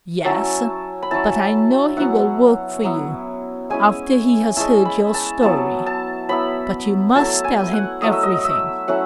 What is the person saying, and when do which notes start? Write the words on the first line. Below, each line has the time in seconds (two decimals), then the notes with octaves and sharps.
"Yes, but I know he will work for you--after he has heard your story. But you must tell him everything."
0.25 F#3 C#4 E4 A5
1.03 B5
1.11 F#3 C#4 E4 A5
1.97 F#3 B3 E4 F#5
2.84 F#3 B3 E4
3.70 G#3 C#4 E4 G#5
4.57 G#3 C#4 E4 A5
4.85 B5
5.14 A5
5.42 F#3 B3 E4 A5
5.86 A5
6.29 F#3 B3 E4 B5
7.16 F#3 A3 E4 A5
7.44 G#5
7.73 F#5
8.02 F#3 A3 E4 D#5
8.12 E5
8.23 D#5
8.45 E5
8.88 F#3 A3 C#4 E4 F#5